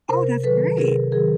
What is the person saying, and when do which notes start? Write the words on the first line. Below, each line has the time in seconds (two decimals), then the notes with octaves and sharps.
Oh, that's great.
0.09 C3 A#4 C5
0.44 D#3 F#3 A4 B4
0.77 C3 G#4 A#4
1.12 D#3 F#3 G#4 A#4